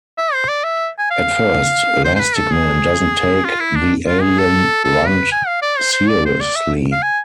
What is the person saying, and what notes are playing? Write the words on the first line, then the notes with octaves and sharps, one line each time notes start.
At first, Lastikman doesn't take the alien runt seriously.
E5
C5
D5
E5
G#5
F5
C5
C5
B4
A4
G#4
F4
E4
D4
F4
G#4
A4
A4
B4
G#5
F5
D5
C5
C5
D5
C5
D5
E5
F5
G#5